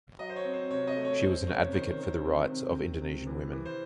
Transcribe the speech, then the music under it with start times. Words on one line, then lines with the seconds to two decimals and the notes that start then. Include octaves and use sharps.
She was an advocate for the rights of Indonesian women.
0.19 F#3 D#5
0.30 C5
0.36 C#5
0.45 C4
0.53 C5
0.71 C3 C#5
0.87 D#5
0.96 A3
1.05 C#5
1.21 C#4 C5
1.47 C3 C#5
1.73 D#3 C5
1.99 D#3
2.24 C4
2.50 C3
2.75 C4
3.01 C3
3.27 E3
3.52 E3
3.65 C5